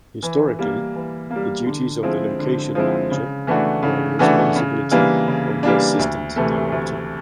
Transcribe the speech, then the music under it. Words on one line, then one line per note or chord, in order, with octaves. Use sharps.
Historically, the duties of the Location Manager were the responsibility of the Assistant Director.
E3
G3 A#3
E3
A#3
G3
D3
F3 G#3 C4 E4
D3
F3 G#3 C4 E4
C#3
E3 A3 D4 F#4
C#3
E3 A3 D4 F#4
C#3
E3 G3 A#3 D4
C#3
E3 G3 A#3 D4
D2
C3 E3 A3
D2